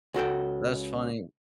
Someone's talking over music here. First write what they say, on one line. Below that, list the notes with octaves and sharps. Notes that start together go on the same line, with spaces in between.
that's funny.
C#2 F#4 A4 G5